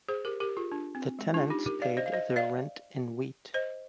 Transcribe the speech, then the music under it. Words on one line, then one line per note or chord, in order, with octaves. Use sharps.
The tenants paid their rent in wheat.
G#4 C5
G4 A#4
G4 A#4
F4 G#4
D4 F4
C4
G#3
D4 F4
D#4 G4
G4 A#4
D5 F5
C5 D#5
F5
C5 D#5
D#5
D5 F5
C5 D#5